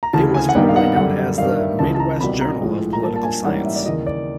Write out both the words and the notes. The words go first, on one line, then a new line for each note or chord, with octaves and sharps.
It was formerly known as the "Midwest Journal of Political Science".
A#5
D2 C#3 E3 A5
G#5
F#5
G2 D#3 G3 B3 D#4 G5
F5
F#5
F#2 D3 G3 F#5
G2 D#3 G3 F5
E5
C#2 C#3 E3 A5
A5
A#5
C2 B2 G3 B5
A#5
A2 F3 G#3
A#5
A#2 G3 A#3 A5
A5
G#5
G#2 E3 G3 A#3 C#4 F#5
E5
D5
D#2 C#3 E3 D#5
D5